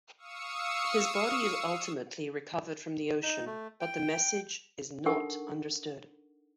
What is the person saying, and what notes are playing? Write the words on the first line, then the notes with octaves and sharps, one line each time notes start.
His body is ultimately recovered from the ocean, but the message is not understood.
F5 C#6 D#6 E6 C#7
D#4
A3
G5
D4 D#4 A4 A#4 F#5 C#6